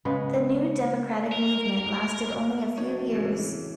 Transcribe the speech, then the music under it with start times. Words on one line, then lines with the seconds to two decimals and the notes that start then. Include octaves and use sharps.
The New Democratic Movement lasted only a few years.
0.05 C#3 G#3 B3
1.32 A#4
2.78 F1 D4 D#4 F#4 C#5
3.12 A2 C#3 E3